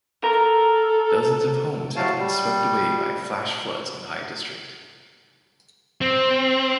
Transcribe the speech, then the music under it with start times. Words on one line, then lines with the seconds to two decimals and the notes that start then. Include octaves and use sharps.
Dozens of homes have been swept away by flash floods in Hai District.
0.24 A4 A#4
1.96 A2 C3 F#3 F#4 F5 A5
2.18 G3
6.01 C4